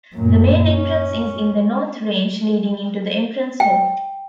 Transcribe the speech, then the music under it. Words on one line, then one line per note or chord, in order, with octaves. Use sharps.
The main entrance is in the north range, leading into the Entrance Hall.
F#2 A#2
C#4
G5